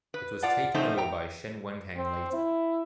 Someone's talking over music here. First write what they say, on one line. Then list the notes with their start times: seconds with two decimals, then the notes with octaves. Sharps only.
It was taken over by Chen Wenheng later.
0.14 B4
0.42 F4 D5 F#5 A5
0.74 F3 A3 C4 C#4 D#4 C5
0.97 G5 A#5
1.97 C4
2.33 E4